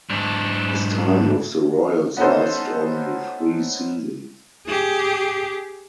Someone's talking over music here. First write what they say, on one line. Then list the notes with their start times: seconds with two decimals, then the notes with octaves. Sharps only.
His time with the Royals lasted only three seasons.
0.10 G#2 D4
2.17 B3 C#4 D#4 A4 C5
4.67 G4 G#4